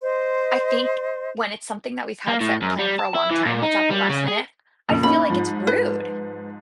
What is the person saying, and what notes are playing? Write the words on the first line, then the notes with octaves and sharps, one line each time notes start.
I think when it's something that we've had set and planned for a long time and it's at the last minute, I feel like it's rude.
C5 D#5 C6
A#3
A2
F#2
G3
A5
E4
E3
A#2
D#4
G3
C#3
G#4
F2 A#2 C#3
A#3 C#4 D#4 B5
G#2 F3
B4